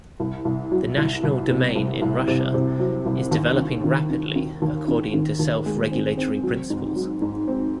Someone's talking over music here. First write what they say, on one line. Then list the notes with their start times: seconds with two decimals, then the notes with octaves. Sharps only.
The national domain in Russia is developing rapidly according to self-regulatory principles.
0.20 C2
0.45 C2
0.72 F#3
0.97 C2
1.23 C2
1.49 C3
1.75 C2
2.01 C2
2.28 C3
2.54 C3
2.80 F#3
3.06 C2
3.31 D#2
3.58 D#3
3.84 D#3
4.10 D#3
4.36 D#3
4.62 D#2
4.88 D#3
5.14 D#3
5.39 D#2
5.66 G#3
5.92 C4
6.18 C4
6.43 F#3
6.70 G#2
6.96 F#3
7.22 G#2
7.48 C4